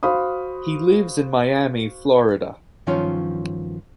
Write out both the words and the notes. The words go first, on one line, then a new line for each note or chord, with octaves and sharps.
He lives in Miami, Florida.
F#4 C5 F5 B5 D#6
G2 D#3 F3 F#3 C#4 F4